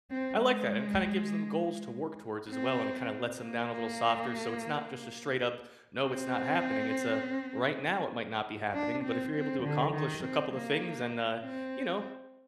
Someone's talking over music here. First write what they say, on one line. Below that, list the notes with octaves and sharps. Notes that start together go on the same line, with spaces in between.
I like that, and it kinda gives them goals to work towards as well, and it kinda lets ‘em down a little softer, so it's not just a straight up, "No, it's not happening." It's a, "Right now, it might not be happening, but if you're able to accomplish a couple of things and, uh, you know,
C4
G#3
C4
A#3
C4
D4
C4
C4
D3
D#3
C4
A#3
C4